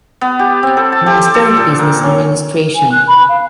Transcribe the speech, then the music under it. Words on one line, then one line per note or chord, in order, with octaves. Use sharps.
Master of Business Administration.
B3
G4
C4
A4
A5
G4
A4
A#2
A#3
C#4
G#5
F#6
B5
F5